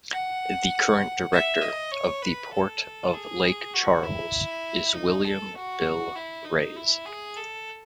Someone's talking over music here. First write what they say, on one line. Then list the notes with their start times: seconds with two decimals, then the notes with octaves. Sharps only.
The current director of the Port of Lake Charles is William "Bill" Rase.
0.12 F#5
1.33 E5
1.62 D#5
1.92 C#5
2.22 B4
2.53 A4
3.14 G#4
3.74 F#4
4.03 E4
4.94 D#4
5.25 A4
5.55 F#4
6.16 E4
6.45 D#4
6.76 E4
7.06 G#4
7.36 A4